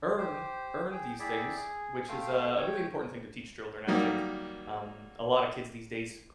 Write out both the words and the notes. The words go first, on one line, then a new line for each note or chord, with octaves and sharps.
earn earn these things," which is, uh, a really important thing to teach children, I think. Um, a lotta kids these days,
G4 C5
G#4 G5
E4 G#4 D5 E5 G5
G#4
A3 F5 G5 C6
C#5 G5
D#3 F#3 G3 A#3 D#4